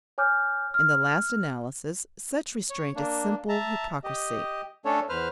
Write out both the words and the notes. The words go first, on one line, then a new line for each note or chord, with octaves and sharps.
In the last analysis such restraint is simple hypocrisy.
C#5 G#5 D6 F6 G6
F6
C#5
A#3 D4
E5 A5 A#5
G4 D#5
A3 C#4 D4 A4 C#5
E2 B4 C5 F6